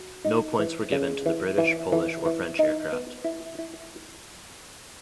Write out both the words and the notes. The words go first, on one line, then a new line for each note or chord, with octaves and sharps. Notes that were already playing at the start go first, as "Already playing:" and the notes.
No points were given to the British, Polish or French aircraft.
Already playing: F#4
D#4
E3
C#3
E3
E3
E3
E3
D#4
B3
E4
E4